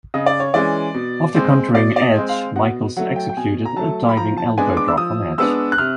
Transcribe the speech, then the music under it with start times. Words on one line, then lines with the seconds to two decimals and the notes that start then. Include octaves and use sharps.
After countering Edge, Michaels executed a diving elbow drop on Edge.
0.14 C#3 D#5
0.26 D5
0.40 C#5
0.54 E3 G#3 C#4 D5
0.94 B2
1.35 G#3 C4
1.75 B2 D5
1.96 D5
2.02 D#5
2.16 G#3 C4
2.29 F5
2.56 B2 F#5
2.96 F#3 A3 F#5
3.16 G5
3.29 G5
3.37 B2 G#5
3.65 A#5
3.76 F#3 A3 A5
4.09 B5
4.17 F3 A#5
4.37 A5
4.58 G#3 B3 D4 G#5
4.77 D6
4.88 E6
4.98 F3 D#6
5.38 G#3 B3 D4 E6
5.72 F#6
5.78 C3 F6